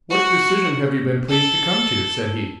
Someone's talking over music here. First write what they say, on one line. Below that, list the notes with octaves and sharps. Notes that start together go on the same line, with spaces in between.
"What decision have you been pleased to come to?" said he.
F#4
A4